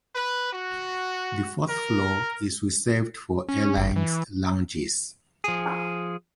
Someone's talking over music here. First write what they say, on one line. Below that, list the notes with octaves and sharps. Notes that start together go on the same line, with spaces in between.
The fourth floor is reserved for airlines' lounges.
B4
F#4
A#4
C#4
G#1
E3
F3 G#4